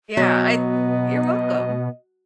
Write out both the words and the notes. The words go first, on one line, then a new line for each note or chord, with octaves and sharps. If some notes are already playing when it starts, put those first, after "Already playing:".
Yeah. I d you're welcome.
B2 F#3 B3 D#5